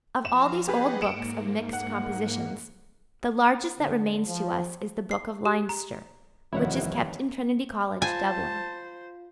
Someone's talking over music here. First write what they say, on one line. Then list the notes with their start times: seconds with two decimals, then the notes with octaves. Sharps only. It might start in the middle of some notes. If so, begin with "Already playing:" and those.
Of all these old books of mixed compositions, the largest that remains to us is the Book of Leinster, which is kept in Trinity College, Dublin.
0.25 F3 F5 A#5 E7
0.68 G4 G#4 B4 D#5 F#5
1.02 G#2 A#3 C#7 D7 E7
1.73 F#5
3.79 D3
4.27 F3
5.11 C7
5.45 G4
5.69 A#5
6.53 F1 G2 D#3 E3 E4 C#5 F#5
8.02 F4 C5 F5 G#5 A5